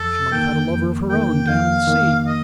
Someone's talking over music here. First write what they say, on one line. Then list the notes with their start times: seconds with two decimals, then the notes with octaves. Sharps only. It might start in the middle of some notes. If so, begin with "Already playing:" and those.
She might have had a lover of her own down in the sea.
Already playing: F2 A4
0.32 D#3 A#3 G5
0.70 F2
1.09 D#3 A#3 G5
1.48 F2 F5
1.87 D#3 A#3
2.26 D#5